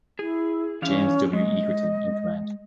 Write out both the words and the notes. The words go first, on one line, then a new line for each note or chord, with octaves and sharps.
James W. Egerton in command.
E4 G#4
E3 C#4 E4 F5
G#3 D#5